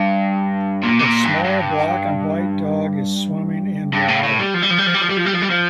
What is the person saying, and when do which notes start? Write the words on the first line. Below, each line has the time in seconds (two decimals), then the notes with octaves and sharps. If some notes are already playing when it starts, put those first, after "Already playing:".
A small black and white dog is swimming in water.
Already playing: G2
0.83 A#2
0.99 C3
1.04 A#2
1.24 G2
1.44 G2
3.93 G2
4.08 A2
4.23 A2
4.39 G3
4.54 F3
4.63 G3
4.71 F3
4.79 G3
4.87 F3
4.95 G3
5.02 F3
5.10 G3
5.18 F3
5.26 G3
5.35 F3
5.42 G3
5.50 F3